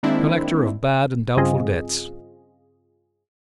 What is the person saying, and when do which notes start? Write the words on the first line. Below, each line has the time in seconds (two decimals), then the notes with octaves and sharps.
Collector of bad and doubtful debts.
0.03 D#3 G#3 A#3 C4 D4 E4
1.37 G2 C#3 C4 F4 G#4 D#5